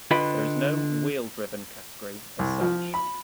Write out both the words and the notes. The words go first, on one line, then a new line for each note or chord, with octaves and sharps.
There is no "wheel-driven" category as such.
D3 F4 B4 D#5 G5 B5
C2
F3
B5